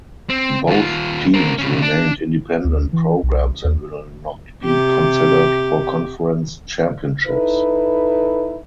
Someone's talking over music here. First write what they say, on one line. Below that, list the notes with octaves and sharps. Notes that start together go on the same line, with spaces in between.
Both teams remained independent programs and will not be considered for conference championships.
C4
D#2 F4
C4 A#4
C3 C#4
D4
D2
E3
B1
D#2
C3 G4
D#4 E4 A4 B4